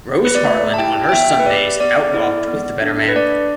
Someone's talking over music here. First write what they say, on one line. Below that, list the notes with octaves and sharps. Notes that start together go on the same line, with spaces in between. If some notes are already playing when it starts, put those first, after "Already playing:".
Rose Harland on her Sundays out walked with the better man.
B4
D5
A3 E5
A5
E4 G4 G5
G5
B3 E5
B4
G4 D5
B3 D5
E4 A4
B3
D4 A4
B4
D4 D5